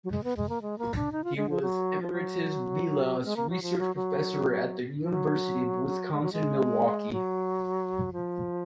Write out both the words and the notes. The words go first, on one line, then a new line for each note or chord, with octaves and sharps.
He was Emeritus Vilas Research Professor at the University of Wisconsin-Milwaukee.
F#3
G#3
B3
G#3
A#3
G#3
A#3
D4
D#4
F4
G#3
F3
F#3
F3
F#3
G#3
A#3
F#3
F3
F#3
F#3
F3
F#3
G#3
F#3
G#3
F#3
F3